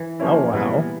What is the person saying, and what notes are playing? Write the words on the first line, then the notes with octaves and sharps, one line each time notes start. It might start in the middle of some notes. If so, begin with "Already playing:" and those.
Oh, wow.
Already playing: E3
C3 F3 A#3 C#4 E4
A#2 E3 G3 B3